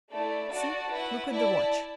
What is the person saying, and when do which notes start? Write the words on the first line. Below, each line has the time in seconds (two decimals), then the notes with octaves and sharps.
See, look at the watch.
0.12 A3 E4 A4 D5
0.51 F#4 D5 F#5 A5
0.91 E4 B4 F#5
1.30 E4 D5 A5